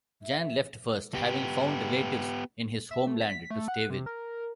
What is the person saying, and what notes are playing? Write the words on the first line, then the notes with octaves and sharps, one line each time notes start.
Jan left first, having found relatives in his homeland to stay with.
E5
B3 G4
E5
A3
B6
A3
F#5
C3
A#4